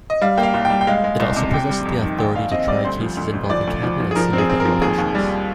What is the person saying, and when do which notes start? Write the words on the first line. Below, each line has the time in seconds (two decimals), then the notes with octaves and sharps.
It also possesses the authority to try cases involving cabinet and senior federal officials.
0.10 D#5
0.22 G3 F5
0.38 A#3 G5
0.43 F5
0.54 C2
0.65 G5
0.70 G3
0.81 G5
0.87 G#3 F5
1.04 G#3
1.20 C2
1.36 C3
1.53 C3 G5
1.70 G3
1.85 F2
2.02 D#3
2.18 A#1 G5
2.36 A#1 F5
2.51 C4 D#5
2.68 G3 D5
2.85 D2 C5
3.00 F3
3.17 D2
3.33 D2
3.50 F3 D5
3.67 D2
3.83 F3
4.00 F3
4.11 G#4
4.16 F3 A#4
4.33 C4
4.38 G#4
4.50 C4
4.60 A#4
4.65 F3
4.82 D#2 G#4
4.98 D#2
5.15 G3